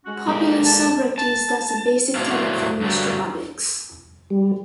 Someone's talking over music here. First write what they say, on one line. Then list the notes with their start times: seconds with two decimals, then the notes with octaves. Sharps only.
Popular sovereignty is thus a basic tenet of most Republics.
0.05 G#3 C#4 F#4
0.28 G#3 A#3 D4 D#4 G4
0.65 A5
1.18 A5
2.16 A2 C3 F#3 A3 D4 F5
2.81 G2 D3 F#3 G3 A#3
4.30 G3